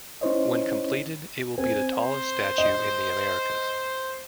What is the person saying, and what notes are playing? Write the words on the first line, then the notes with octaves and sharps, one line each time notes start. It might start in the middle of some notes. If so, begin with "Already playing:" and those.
When completed, it will be the tallest statue in the Americas.
C#4 D#4 E4 C5 C#5 D#5
C4 G#5
C5
D#5